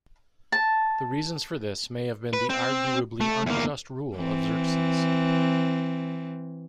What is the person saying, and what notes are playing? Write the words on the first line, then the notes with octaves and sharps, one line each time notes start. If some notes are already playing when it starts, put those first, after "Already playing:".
The reasons for this may have been the arguably unjust rule of Xerxes.
A5
B4
C4
A3
E2 A#3
E3 C4